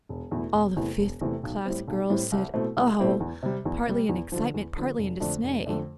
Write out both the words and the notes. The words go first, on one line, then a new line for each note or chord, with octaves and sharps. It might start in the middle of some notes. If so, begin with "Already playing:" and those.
All the fifth-class girls said, "Oh!" partly in excitement, partly in dismay.
E1
E2 B2 A3 E4
E1
E2 C3 E3 A3
E1
E2 C3 E3 A3
B1
A2 G3 C4
B1
A2 G3 C4
C2
B2 A3 C4 E4
C2
B2 A3 C4 E4
E2
C3 G3
E2
C3 G3
E2
D3 F3
E2
D3 F3
F1
F2 D3 A3 D4
F1
F2 D3 A3 D4